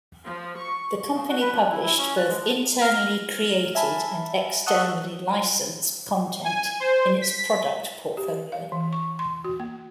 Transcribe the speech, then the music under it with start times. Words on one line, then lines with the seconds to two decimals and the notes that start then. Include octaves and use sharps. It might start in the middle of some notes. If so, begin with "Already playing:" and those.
The company published both internally created and externally licensed content in its product portfolio.
0.25 F3
0.56 C#6
1.14 C#3
1.29 F#4
1.41 B4
1.53 F3
1.71 E4
1.82 E4
1.97 C#4
2.17 F#6
2.28 G#3
2.41 F3
2.82 F6 A#6
3.75 E5 G#5 A5 B5
4.66 F#5 A5 C#6 D#6 E6 F#6
6.45 G#5
6.80 C5
7.22 B6
8.17 G4
8.52 F5
8.72 E3
8.93 C#6
9.19 C6
9.44 F#4
9.60 A#3